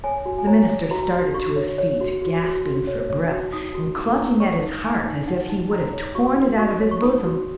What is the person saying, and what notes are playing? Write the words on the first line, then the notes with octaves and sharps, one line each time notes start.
The minister started to his feet, gasping for breath, and clutching at his heart, as if he would have torn it out of his bosom.
C#5 G#5
F#4
G#5
C#5 A#5
C#5
F#4 A#5
F#4
F#4 C#6
C#5
C#5
F#4
F#4
F#4
F#4
C#5
C#5
F#4
D#4 D#6
F#4
D#4
A#5
D#4
C#5 C#6
D#4
D#4 G#5
D#4
D#4 F#5
D#4
D#4 A#5
C#5
F#4 C#6
D#4
F#4 C#6
C#5
C#6
D#4 D#6
F#4